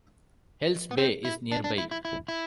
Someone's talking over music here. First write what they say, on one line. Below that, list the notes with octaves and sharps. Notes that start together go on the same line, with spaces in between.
Hells Bay is nearby.
B3
C4
E4
D4
D4
E4
E4
E4
E4